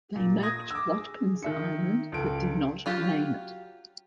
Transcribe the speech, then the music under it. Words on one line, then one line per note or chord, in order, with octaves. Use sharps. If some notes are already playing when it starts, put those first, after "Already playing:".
They mapped Watkins Island but did not name it.
A#2
D#6 G#6 A#6
D6 E6
G#4
D#3 E5 C#7
C#2 A4 D7
F#3 F4 G4